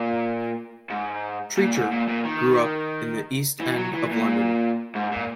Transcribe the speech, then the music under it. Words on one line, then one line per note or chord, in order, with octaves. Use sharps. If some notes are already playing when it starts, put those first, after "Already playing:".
Treacher grew up in the East End of London.
Already playing: A#2
G#2
A#2
G#2
A#2
A#2
D#3
E3
F#3
E3
A#2
G#2
A#2